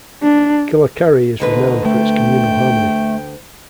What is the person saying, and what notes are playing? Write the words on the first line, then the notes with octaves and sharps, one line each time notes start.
Kilakarai is renowned for its communal harmony.
D4
D2 D3 D#4 B4
A3 G5